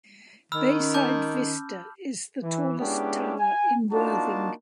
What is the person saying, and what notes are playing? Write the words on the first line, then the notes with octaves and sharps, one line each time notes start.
Bayside Vista is the tallest tower in Worthing.
D#3 B5 E6 F6
C#4
A5 D6 G6
E3
G#3 B3 C#4 D4 E4 G4
G#5
A#3 D4 D#4 F4 F#4 A5